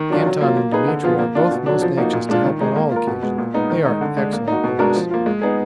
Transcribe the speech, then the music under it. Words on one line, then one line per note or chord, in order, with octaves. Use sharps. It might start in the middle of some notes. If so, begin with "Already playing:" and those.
Anton and Demetri are both most anxious to help on all occasions; they are excellent boys.
Already playing: D#3
F#3 D4 F4
F#3
A#3 F4
A#3
D#4 G#4 B4
D3
F3 B3 F4 G#4
A#3
D4 F4
B2
F#3 D4
F3
A#3 D#4 F#4
A#2
G#3 D4 F4
D#3
G#3 D#4 G#4
A#3
F4 A#4
B2
G#3 B3
A#2
G#3 B3 D#4
D#3
G#3 D#4
D3
G#3 D4
A#3
D#4 F#4
B2
G#3 D4 F#4 A#4
F3
A#3 F4
G#3
B3 D#4 G#4